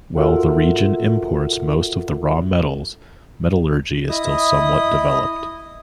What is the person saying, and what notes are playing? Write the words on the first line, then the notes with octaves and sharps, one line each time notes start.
While the region imports most of the raw metals, metallurgy is still somewhat developed.
F4 F#4 A4 A#4 E5 F#5
E4 D#5 D#6